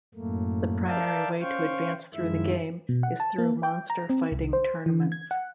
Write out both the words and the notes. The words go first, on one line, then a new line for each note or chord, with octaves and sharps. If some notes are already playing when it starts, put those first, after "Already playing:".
The primary way to advance through the game is through monster fighting tournaments.
F#2 A2 A3 A#3
A#4 D5 E5 F5 G5 A5
C#4 C5 F5 G5 C#6
F#2 D#3 F3 G#3 E4 E5
B2
F#5
A5
A#3
G5
A#5
C4
C2
C5
E3
G#6
F#5